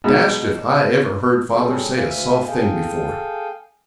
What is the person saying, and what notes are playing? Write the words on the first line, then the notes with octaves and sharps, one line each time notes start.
Dashed if I ever heard father say a soft thing before.
B2 G#3 D#4
G3 C4 C#4 G#4 A4
D2 E5 F5 G#5
G#4 A4 F5 G5 G#5